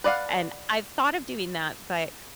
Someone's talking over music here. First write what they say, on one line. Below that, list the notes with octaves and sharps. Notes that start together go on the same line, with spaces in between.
and I've thought of doing that, but,
B4 D5 D#5 F5 F#5